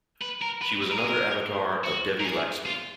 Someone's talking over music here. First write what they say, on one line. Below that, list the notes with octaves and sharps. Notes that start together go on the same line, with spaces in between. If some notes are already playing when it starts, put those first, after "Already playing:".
She was another avatar of Devi Laxmi.
B4
A#4
B4
B4
A#4
G#4
A#4
F#4
A#4
G#4
F4